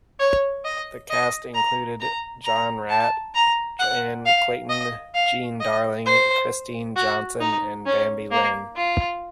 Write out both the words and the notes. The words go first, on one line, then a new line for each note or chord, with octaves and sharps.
The cast included John Raitt, Jan Clayton, Jean Darling, Christine Johnson and Bambi Linn.
C#5
D#5
D#5
A#5
A#5
A#5
A5
A#5
F#5
F5
D#5
F5
D#5
C5
F#4
D#4
C#4
A#3
F4